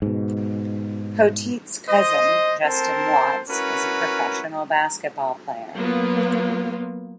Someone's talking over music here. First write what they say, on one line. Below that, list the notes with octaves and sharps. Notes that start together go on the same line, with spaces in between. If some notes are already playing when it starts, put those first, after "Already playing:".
Poteat's cousin, Justin Watts, is professional basketball player.
G#2 B2
C5 D#5
C4 A4 A#4 C5 A5
C#4 E4 F#4 A#4 B4
F#3 A#3 B3 F4